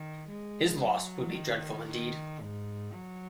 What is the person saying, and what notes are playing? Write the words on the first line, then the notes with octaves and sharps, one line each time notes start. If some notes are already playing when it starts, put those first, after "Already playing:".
His loss would be dreadful indeed.
Already playing: D#3
G#3
F#3
D#3
D#3
G#2
F#3